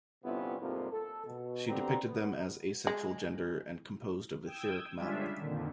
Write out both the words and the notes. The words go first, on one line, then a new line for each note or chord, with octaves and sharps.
She depicted them as asexual gender, and composed of "etheric" matter.
G1 C3 B3 C#4 E4 F4
F2 G#2 C3 F3 G3 A#3
A4
B2
D3 B3 C4 G4 A#5
B3
G#3
G5 D#6 E6 G6 G#6
G3 G#3 C#4 D4 F4 E5
F2 A#2 D3 D#3